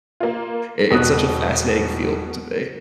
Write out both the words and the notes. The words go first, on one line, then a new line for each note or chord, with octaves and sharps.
I it's such a fascinating field to me.
A#3 F4
E1 B2 D#6 F#6